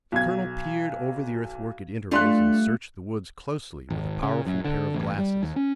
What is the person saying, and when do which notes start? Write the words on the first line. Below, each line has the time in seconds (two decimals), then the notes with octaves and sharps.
The colonel peered over the earthwork at intervals and searched the woods closely with a powerful pair of glasses.
0.12 B1 G#6
2.11 G3 A3 D4 F4 C6 F#6
3.90 G#1
4.23 C#3
4.46 F#2
4.65 D3
4.94 A1
5.18 G3
5.43 D#2
5.56 C#4